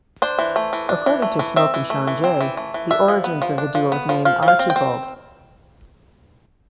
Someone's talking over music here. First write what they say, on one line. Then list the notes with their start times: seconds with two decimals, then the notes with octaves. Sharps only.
According to Smoke and Shawn Jay, the origins of the duo's name are twofold.
0.22 D4 C5
0.39 E3
0.56 A3
0.73 E3
0.89 D4
1.06 E3
1.22 A3
1.39 E3
1.56 C4 E5
1.74 E3
1.90 A3
2.07 E3
2.24 C4
2.41 E3
2.57 A3
2.74 E3
2.91 D4 E5
3.08 F3
3.24 B3
3.42 F3
3.58 D4
3.75 F3
3.92 B3
4.09 F3
4.25 F3 F5
4.43 F3
4.48 F5
4.59 C4
4.70 G5
4.76 C4